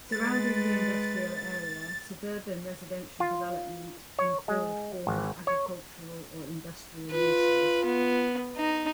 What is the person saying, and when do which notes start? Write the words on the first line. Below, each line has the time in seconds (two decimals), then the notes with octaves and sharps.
Surrounding the industrial area, suburban residential development infilled former agricultural or industrial uses.
0.12 G#3 B4 A6
3.20 F4
4.19 C#5
4.48 G#3
5.07 G#1
5.47 C#5
7.11 F4 B4
7.85 B3
8.57 D#4